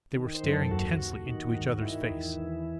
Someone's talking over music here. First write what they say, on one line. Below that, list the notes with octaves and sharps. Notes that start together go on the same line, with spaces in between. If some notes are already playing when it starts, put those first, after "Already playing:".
They were staring tensely into each other's face.
D#3
C5
F#2
A4
D#2 F#4
D#2
D#3
G#2
D#3 E4
E2
E3